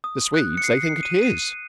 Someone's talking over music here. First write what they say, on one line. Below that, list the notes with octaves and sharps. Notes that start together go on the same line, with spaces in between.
The Swedes, they think it his.
D#6
F#6
C#7
C7
C7
D#7
D#7